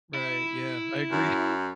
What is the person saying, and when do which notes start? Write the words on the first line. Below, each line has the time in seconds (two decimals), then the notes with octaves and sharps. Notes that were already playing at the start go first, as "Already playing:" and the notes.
Right. Yeah, I agree.
0.15 E4
1.11 F#2